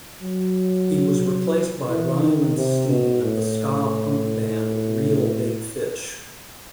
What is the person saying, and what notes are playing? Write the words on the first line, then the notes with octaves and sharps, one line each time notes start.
He was replaced by Ryland Steen, of the ska punk band Reel Big Fish.
F#3
E3
D#3
C3
B2
A2